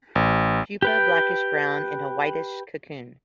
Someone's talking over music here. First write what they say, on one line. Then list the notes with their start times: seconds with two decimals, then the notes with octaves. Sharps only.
Pupa blackish brown in a whitish cocoon.
0.15 A1
0.82 G4 B4 G5